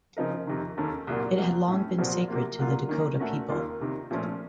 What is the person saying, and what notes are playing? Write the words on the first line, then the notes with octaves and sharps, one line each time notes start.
It had long been sacred to the Dakota people.
C#3 F3 C4 D#4 A#4
F2 C3 D#3
D#2 D#3 A#3 C#4 A4
C2 A#2 F#3 A#3
F2 C3 F#3
A2 A3 C#4
C2 A#2 F3 C4 F#4
C3 F#3 A#3 F4
C2 A#2 F#3 A#3 F4
D#3 A#3 C#4
A#2 A3 C#4 F#4 A#4
D#2 D#3 A#3 F4
C2 C3 D#3
A#2 F3 A3 C#4